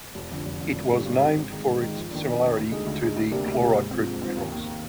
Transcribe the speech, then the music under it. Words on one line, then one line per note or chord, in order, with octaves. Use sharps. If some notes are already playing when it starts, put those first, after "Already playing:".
It was named for its similarity to the chlorite group of minerals.
F1
F2 D3
F1
F2 D3
G#1
G2 D3 G3 C4
G#1
G2 D3 G3 C4
G#2
D#3 G#3 D#4
G#2
D#3 G#3 D#4
F2
D#3 A#3 D4
F2
D#3 A#3 D4
D2
D3 G#3 D#4 G#4
D2
D3 G#3 D#4 G#4
D2
C3 G3 A#3 D4
D2
C3 G3 A#3 D4
G#2
F3 C4
G#2
F3 C4
D#2
D#3 A#3